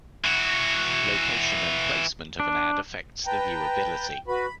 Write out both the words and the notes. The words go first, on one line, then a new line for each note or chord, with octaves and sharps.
Location and placement of an ad affects the viewabilty.
E3 F#4
D4
B4 G5 A5 A#5
F#4 B4 B5